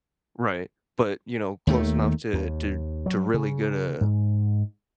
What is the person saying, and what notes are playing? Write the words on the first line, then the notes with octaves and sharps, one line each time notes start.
Right. But, you know, close enough to to to really get a
D#2 D#3 A3
D#2
F#3
C#3
G#2